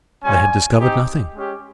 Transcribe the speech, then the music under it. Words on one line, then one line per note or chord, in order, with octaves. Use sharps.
They had discovered nothing.
G3 C#4 F4 G#5
C4 D#4 G4
G#3 C#4 G4